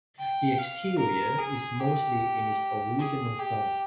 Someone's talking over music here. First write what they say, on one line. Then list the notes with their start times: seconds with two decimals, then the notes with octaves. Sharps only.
The exterior is mostly in its original form.
0.19 G5
0.59 F5
0.98 A#4
1.39 G#4
1.80 G4
2.99 G#4
3.39 G4